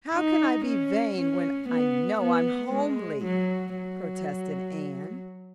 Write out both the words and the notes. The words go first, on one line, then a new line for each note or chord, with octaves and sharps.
"How can I be vain when I know I'm homely?" protested Anne.
D#4
C#4
C#4
B3
B3
G#3
F#3
F#3